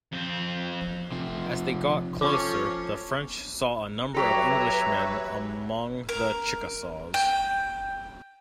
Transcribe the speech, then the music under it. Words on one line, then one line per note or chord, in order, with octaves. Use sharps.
As they got closer the French saw a number of Englishmen among the Chickasaws.
F2 C4
C3 F3
F3 C#4 A4 C#6 D6
F#3 G4 A4 B4 C#5 E5 A#5
A#4
G5